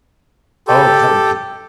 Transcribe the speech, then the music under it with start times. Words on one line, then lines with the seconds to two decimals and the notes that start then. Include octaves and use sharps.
Oh, that would be
0.68 G4 A4